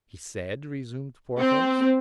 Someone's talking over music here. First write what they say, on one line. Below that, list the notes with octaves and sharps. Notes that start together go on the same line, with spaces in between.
"He said?" resumed Porthos.
C4